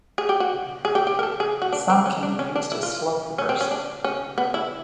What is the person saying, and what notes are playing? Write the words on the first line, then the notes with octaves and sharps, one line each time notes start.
Some can be used as slow cookers.
G#4
G4
F#4
G#4
G4
G4
A#4
A4
G#4
F#4
D4
C4
C#4
D4
C#4
D4
E4
F4
C#4
C4
C#4
D4
C#4
B3
E4